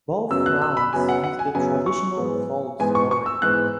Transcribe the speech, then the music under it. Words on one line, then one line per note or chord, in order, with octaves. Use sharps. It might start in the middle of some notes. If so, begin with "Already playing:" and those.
Both runs used the traditional fault scoring.
F#2 C#3 F#3 B3 E6
F#6
E6
B5
F#2 C#3 F#3 B3 G#5
F#5
F#5
G#5
F#2 C#3 F#3 B3 G#5
C#6
G#2 E3 G#3 B3
G#2 E3 G#3 B3 G#5
C#6
C#6
E6
G#2 E3 G#3 B3 F#6